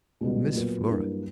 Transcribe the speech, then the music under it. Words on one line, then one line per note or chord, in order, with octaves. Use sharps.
Miss Flora!
C#2 B2 G3
A#2 F#3 B3 F#4
G2 F#3 A#3 E4 A#4